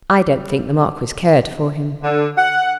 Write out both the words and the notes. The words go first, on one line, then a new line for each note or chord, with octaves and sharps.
"I don't think the Marquis cared for him."
D3
F#5